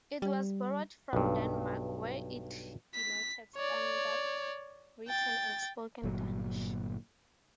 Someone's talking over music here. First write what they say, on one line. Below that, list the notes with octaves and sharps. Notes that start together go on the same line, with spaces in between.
It was borrowed from Denmark where it denoted standard written and spoken Danish.
G3
B1 G2
B6
C#5 D5
G5 A6
G1 A#2 F#3